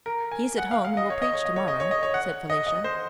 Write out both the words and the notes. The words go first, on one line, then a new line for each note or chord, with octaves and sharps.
"He is at home and will preach tomorrow," said Felicia.
A#4
G#5
F#5
F5
F5
D#5
C#5
D#5
C#5
D#5
C#5
D#5
C#5
D#5
C#5
F#5
D#5
D#5
C5